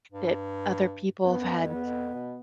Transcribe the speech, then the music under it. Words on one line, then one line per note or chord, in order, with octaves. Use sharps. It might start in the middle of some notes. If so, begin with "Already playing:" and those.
that other people have had
G2
F#2 B3
G2
F#2
F2
E2 B3
F2
B2